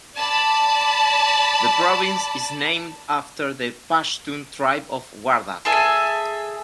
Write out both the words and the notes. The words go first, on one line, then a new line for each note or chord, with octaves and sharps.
The province is named after the Pashtun tribe of Wardak.
D5 A5 B5
G#4 A4 E5 G#5